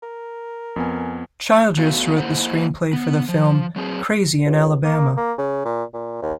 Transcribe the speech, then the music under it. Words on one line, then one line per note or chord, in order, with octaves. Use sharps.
Childress wrote the screenplay for the film "Crazy in Alabama".
A#4
F2 B3 G#5
A3 B3 F#4 F5
A#3 E4 C5 F#5
B3
F3
F#3 C4 G#4
C#2
A#3
A#3
C#3
A#2
A#2
D#2